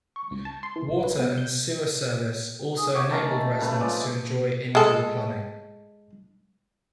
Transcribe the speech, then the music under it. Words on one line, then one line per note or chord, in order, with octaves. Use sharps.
Water and sewer service also enabled residents to enjoy indoor plumbing.
C#6
C#2
A5
C6
E3
A#1
B4
B3
G6
G#4
F#4 G4 C#5
D#3 A3 C#4 A5
C#3 A3 B4
F3 G#3 A4 D5
G#3 A4